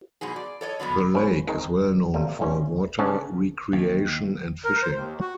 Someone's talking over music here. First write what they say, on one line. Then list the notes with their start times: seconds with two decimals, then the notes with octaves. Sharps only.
The lake is well known for water recreation and fishing.
0.21 G#2 B2 F#3 G#4
0.36 D5
0.61 A4 C#5 D#5
0.80 D3 F#3 G3 B3
1.14 B3 C#4 F#4 B4
1.47 D#3 G#3 C4 D#4
2.14 C3 G3 A3 A#3
2.39 A1 D2 G3 C#4 C5
2.99 C#3 C#4 G#4 F#5 A5
3.73 D#2
4.64 A#4
4.82 C5
4.95 D#2
5.20 F#4